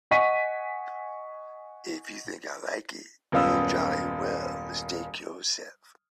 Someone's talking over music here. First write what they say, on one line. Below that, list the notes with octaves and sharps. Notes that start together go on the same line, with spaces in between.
If you think I like it, you jolly well mistake yourself.
D#5 F#5 G#5 C#6 B6 D#7
D#1 F#2 B3 F4 D#6 E6